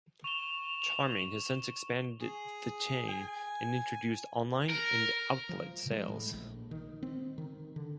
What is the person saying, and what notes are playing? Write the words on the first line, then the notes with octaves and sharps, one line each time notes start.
Charming has since expanded the chain and introduced online and outlet sales.
C#6 E7 F7 G7
G#4
G#5
A#4
F3
G#3
A2
A#1
D#3
C4
D#3
D3